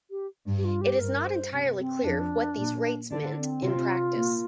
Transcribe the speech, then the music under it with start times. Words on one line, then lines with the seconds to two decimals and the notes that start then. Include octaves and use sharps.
It is not entirely clear what these rates meant in practice.
0.11 G4
0.46 G2
0.58 G4
0.65 F4
0.81 G4
0.99 G2 A#4
1.25 C5
1.52 C3
1.79 C4
2.04 F2 F3 D4
2.57 A#2 A#3
3.10 D3 D4
3.37 C4
3.63 C3 C4 F4
4.16 A#2 A#3